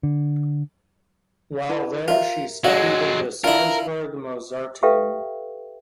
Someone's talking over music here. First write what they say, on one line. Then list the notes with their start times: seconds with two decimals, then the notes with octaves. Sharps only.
While there, she studied at the Salzburg Mozarteum.
0.03 D3
1.69 E4 B4
2.08 F4 A#4 E5
2.64 F#3 G#3 F#4 D#5 F5
3.44 D4 E4 F4 A#4
4.83 G4 A4 B4 E5 F5 G5